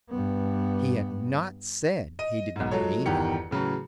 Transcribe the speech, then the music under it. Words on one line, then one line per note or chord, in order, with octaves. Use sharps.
He had not said he did not mean them.
G2 B3
D#5 D#7
B1 G#2
F3 F#3 G#3 A4 C#5
G1 E2 D#3 G4 C#7
A2 C#3 E3 F#3